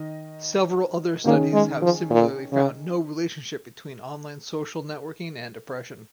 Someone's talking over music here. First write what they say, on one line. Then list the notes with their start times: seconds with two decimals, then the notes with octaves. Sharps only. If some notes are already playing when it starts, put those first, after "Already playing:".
Several other studies have similarly found no relationship between online social networking and depression.
Already playing: D#3 D#5
1.25 D#3 A#3 C#4 G#4
1.53 G#3
1.82 F3
2.10 A#2
2.52 C#3